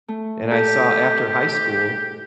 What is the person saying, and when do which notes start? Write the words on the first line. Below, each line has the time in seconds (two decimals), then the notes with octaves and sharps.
and I saw after high school,
0.08 A3
0.51 G4 A4